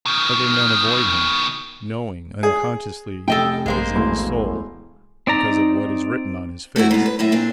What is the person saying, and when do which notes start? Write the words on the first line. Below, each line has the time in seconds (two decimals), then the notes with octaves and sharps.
Other men avoid him, knowing unconsciously what is in his soul, because of what is written on his face.
0.06 B2 D#3
2.43 G#4
3.28 F1 A4 D#5 G5
3.66 A#1 G#3 A#3 C5
3.96 E1 A2 C6
5.27 C4 D#4 D5 A#5
6.76 A3 C4 E4 F#4
6.91 G#2 B2
7.06 B4
7.19 F#2 A2 E5
7.32 A#2 C4 D4